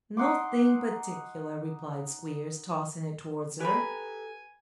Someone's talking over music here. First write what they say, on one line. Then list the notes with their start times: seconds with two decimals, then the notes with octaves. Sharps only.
'Nothing particular,' replied Squeers, tossing it towards her.
0.17 D#4 F#5 C6 D6
3.61 G4 A4 B4 G#5 A#5 B5